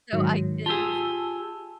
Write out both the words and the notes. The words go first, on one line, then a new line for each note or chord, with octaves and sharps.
so I can
G#2 D#3 F#3
F4 G4 G#4 A5 E6